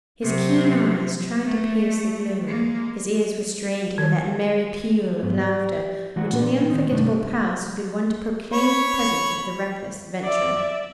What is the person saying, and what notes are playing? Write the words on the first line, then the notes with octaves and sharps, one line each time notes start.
His keen eyes tried to pierce the gloom, his ears were strained to hear that merry peal of laughter which in the unforgettable past had been wont to proclaim the presence of the reckless adventurer.
C3 F#3
A3
G#3 A#3
D#3
G#2 F#3 B3
G4 D5
E3 G#3 F#4 F#5
A#2 B3 D4
D#3 F3 C4 D#4
G2 C3 A3 D4 D#4
C#5 B5 C#6
D5 E5